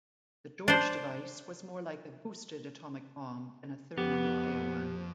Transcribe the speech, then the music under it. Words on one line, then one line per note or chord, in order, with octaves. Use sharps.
The "George" device was more like a "boosted" atomic bomb than a thermonuclear one.
D4 C5
F2 B3 G4